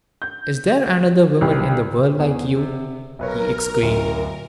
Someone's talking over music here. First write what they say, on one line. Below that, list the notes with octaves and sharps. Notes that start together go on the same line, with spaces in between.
"Is there another woman in the world like you!" he exclaimed.
G6
C2 G4
E2 G#4
C3
B1 A#4 B4 C#5
D1 F#2 A2